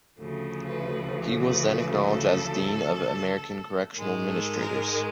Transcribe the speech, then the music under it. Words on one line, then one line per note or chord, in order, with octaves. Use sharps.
He was then acknowledged as Dean of American Correctional Administrators.
D2 C#3 F3 A3
B4
B4
B4
A4
G#2 D#3 G#3
A4
A#4